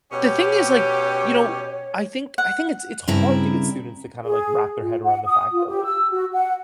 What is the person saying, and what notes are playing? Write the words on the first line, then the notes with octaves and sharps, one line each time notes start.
the thing is, like, you know, I think I think it's it's hard to get students to kinda, like, wrap their head around the fact that, like,
B2 C#4 G4 C#5
F#5
G2 C#3 C4 E4 A#5
G#4
F4
F#5
D#6
F4
G4
E6
F#4
F#5